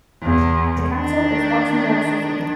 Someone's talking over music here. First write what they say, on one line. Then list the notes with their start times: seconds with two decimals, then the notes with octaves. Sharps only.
The capital is Luxembourg City.
0.23 E2
0.95 D#3 D4